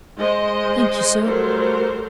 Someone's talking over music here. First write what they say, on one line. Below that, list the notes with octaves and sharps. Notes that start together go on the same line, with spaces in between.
"Thank you, sir."
G#3 C5 D#5
F#3 G3 A3 A#4 C5